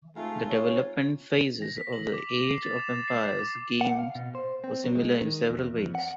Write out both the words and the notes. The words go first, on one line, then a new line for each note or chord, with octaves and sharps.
The development phases of the "Age of Empires" games were similar in several ways.
G#2 C3 A3 F4
C#5
A#6
B6
F#7
D6
F7
C7
A6
E7
A6
C7
C7
D6
F#5
F5
B2
C5
C4
F#3
G#3
D#3
E2
F2
F#5